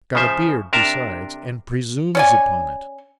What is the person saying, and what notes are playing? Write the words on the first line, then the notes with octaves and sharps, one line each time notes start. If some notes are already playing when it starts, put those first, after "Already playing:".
Got a beard besides, and presumes upon it.
C#3 F3 C5 E5
C3 D4 A#4 E5 A5
C#4 D5 G#5